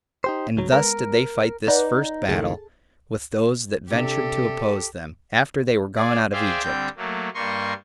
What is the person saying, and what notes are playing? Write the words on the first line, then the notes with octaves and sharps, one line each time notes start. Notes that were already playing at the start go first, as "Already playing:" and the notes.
And thus did they fight this first battle with those that ventured to oppose them, after they were gone out of Egypt.
D#4 G4 C5
C#2 F#3
G#3 B3 A#4
D#4 B4 D5 F#5
C#2 A2 D#3 G#4 A4 A5
C3 D4 G4 A4
G#4 D5
G#4 C5 D5 E5 F5 G5
D3 G3 C4 G5 G6
F#3 A3 A#3
G2 G3 A#3 D#5 C6 C#6